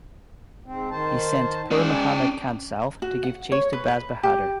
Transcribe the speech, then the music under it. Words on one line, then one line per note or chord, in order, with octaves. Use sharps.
He sent Pir Muhammad Khan south to give chase to Baz Bahadur.
G#2 C4
D#3 C5 A5
G#3 C#4 D5 G5
G5
F#4
F#5
C#5
B4
B4
G4